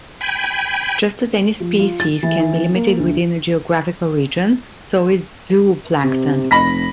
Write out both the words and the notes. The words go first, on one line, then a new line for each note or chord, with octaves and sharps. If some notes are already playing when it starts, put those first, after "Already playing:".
Just as any species can be limited within a geographical region, so is zooplankton.
G5 G#5 B5
F3
F4
A6
E3
A#3
D2
C3
F1 B5 A#6 B6